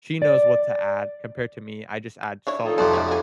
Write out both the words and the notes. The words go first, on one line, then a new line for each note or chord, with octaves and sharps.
she knows what to add compared to me, I just add salt and pepper.
D5
D4 E4 C#5
F3 D#4 A4
F2 C3 B4 D5 A5
G#3 A3 C#4
F#4 G#4